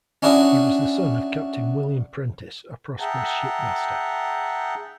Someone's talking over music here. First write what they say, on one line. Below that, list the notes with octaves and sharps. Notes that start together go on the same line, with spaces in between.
He was the son of Captain William Prentiss a prosperous shipmaster.
C#4 D4 E4 F#4 G#4
G#4 E5 F#5 G5 A5 A#5